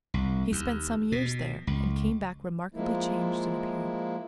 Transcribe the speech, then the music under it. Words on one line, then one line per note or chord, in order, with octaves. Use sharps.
He spent some years there and came back remarkably changed in appearance.
C2
D#2
B2
C#2
F3 G#3 A#3 E4